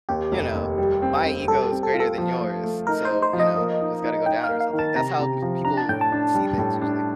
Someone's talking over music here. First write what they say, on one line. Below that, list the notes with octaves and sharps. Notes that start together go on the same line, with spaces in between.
"You know, my ego is greater than yours, so, you know, it's gotta go down or something," that's how m people see things usually.
D#2 G4
F1
D#2
G3
C4
C4
G3 A4
C4
A4
F4
A4
F3
A3
A3
D#4 A#4
C5
D#4
C5
F3
D#5
A#3
D#4
D#4
D#4 G5
F5
A#3
F5
D#3
A5
C3 A#5
C3
F3
D4 A#5
A5
A2 G5
A5
D4
G3
A2
D4